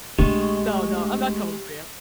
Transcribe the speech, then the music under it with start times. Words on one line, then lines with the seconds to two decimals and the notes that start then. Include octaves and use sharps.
No, no, I'm not coming for you.
0.19 A#1 G#3 A3 D4 G4 C#6